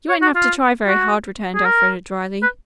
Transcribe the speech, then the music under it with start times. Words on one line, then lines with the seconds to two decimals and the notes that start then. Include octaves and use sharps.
"You won't have to try very hard," returned Elfreda dryly.
0.09 C#5
0.22 F#4
0.35 F4
0.87 F#4
1.55 G#4
1.65 A#4
2.43 B4